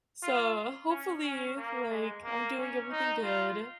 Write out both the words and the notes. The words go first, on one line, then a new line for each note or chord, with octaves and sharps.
so, hopefully, like, I'm doing everything good.
F4
C#4
C#4
A#3
G#3
A#3
C#4
D#4
F4